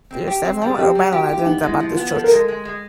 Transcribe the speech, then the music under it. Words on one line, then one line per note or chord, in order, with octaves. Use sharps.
There are several urban legends about this church.
C4
G4
C4
G3
G#4
C4 G4
G3
F#4 G4
F4 G4
E4
B3 D#4
G#3
E4
F3
F4
B3
F3 A4
A#4
G#3 A4
G#3
G#3